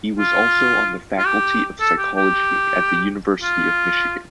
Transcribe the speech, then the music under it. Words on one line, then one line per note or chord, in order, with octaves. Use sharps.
He was also on the faculty of psychology at the University of Michigan.
F4
F4
G4
A4
G4
G4
F4